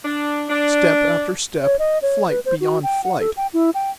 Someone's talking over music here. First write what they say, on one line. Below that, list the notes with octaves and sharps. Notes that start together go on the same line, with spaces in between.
Step after step, flight beyond flight!
D4
D4
C#5
D#5
C#5
B4
C5
F#4
G5
F#5
A4
G5
E4
G5